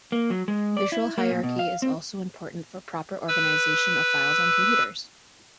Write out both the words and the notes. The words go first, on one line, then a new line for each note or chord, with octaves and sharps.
Visual hierarchy is also important for proper organization of files on computers.
A#3
F#3
G#3
D5
E4
A#3
A#2
B2
F5
C4
B4 E6